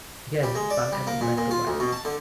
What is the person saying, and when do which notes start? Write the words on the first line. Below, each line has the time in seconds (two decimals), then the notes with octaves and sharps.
Again Van Emmon led the way.
0.43 G3
0.55 G#3
0.70 D5
0.92 G3
1.07 A#3
1.21 A#2
1.37 A#2
1.51 F4
1.67 D2
1.80 B2
1.92 A5
2.05 D3